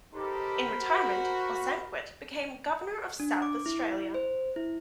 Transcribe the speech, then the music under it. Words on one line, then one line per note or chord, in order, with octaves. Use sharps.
In retirement Bosanquet became Governor of South Australia.
D#4 G4 A4 A#4 C5 B5
F#4
D4
D6
E4
C5
E4